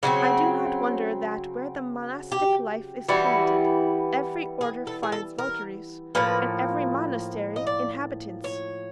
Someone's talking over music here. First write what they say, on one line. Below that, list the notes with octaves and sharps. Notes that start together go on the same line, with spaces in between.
I do not wonder that, where the monastick life is permitted, every order finds votaries, and every monastery inhabitants.
C#3 F#3 A3 C4 F#4
G4
E3 G3 B3 E4 F#4
G#4
A4
G#4
A4
A#4
A2 F3 A#3 B4
D#5
D5
C#5